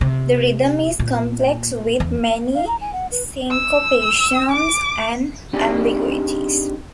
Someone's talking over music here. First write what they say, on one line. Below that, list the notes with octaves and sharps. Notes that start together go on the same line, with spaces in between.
The rhythm is complex with many syncopations and ambiguities.
C3
A#2
E2
F5
A#5
G#5
F#5
B4
E6
D6
C4 D4 D#4 G4 G#4 D5